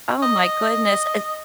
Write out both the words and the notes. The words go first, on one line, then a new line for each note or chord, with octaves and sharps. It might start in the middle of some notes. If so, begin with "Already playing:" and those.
oh my goodness, i
D#5